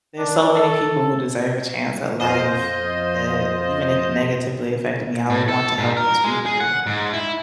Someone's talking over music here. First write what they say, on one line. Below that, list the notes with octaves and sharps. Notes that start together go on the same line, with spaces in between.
there's so many people who deserve a chance at life that even if it negatively affected me, I would want to help those people.
D4
A4
F2 F4 C5 D#5
A2
A4
G#2
A#4
G#3
G#4
F#5
G#2
E4